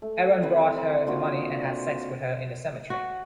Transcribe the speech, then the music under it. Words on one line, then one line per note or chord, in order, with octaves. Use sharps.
Aaron brought her the money and had sex with her in the cemetery.
A3
C4 E4 B4
A#3 D4 F4 F#4
F#4